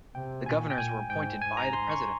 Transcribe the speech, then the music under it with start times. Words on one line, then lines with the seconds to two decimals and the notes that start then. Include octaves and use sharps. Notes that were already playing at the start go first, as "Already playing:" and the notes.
The governors were appointed by the President.
0.15 C3 G5
0.46 A#2 G#5
0.70 G5
0.78 A#2 G#5
1.10 G#2 G5
1.42 G#2 G#5
1.57 A#5
1.73 C6
1.90 C#6